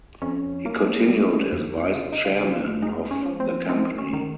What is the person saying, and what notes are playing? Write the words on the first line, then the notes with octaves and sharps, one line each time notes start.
He continued as vice chairman of the company.
F2 C#4
A#3
G3
F2
C#3 F4
D#4
F4
F2
F4
G#3 D#4
C#4
F3
C4
D#3 C4
C#4
D#3